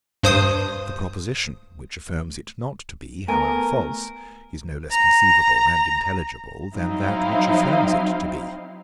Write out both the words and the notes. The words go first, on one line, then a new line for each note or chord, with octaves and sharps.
The proposition, which affirms it not to be, however false, is no less conceivable and intelligible, than that which affirms it to be.
G2 C5 D#6
A3 B3 A#4 G#5 A#5
A#5
F#3 C4 D#4 E4 F5